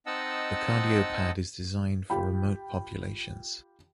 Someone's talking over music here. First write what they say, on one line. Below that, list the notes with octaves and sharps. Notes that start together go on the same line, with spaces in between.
The CardioPad is designed for remote populations.
C4 D#4 D#5 F#5 A5 E6
F4 G4 G5 B5